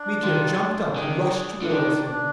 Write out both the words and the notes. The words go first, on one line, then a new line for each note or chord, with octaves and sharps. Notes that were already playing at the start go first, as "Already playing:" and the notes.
Mitya jumped up and rushed towards him.
Already playing: D4
D#3 F4
D4
D#3 G#4
D4
D3
D#3 D4
D4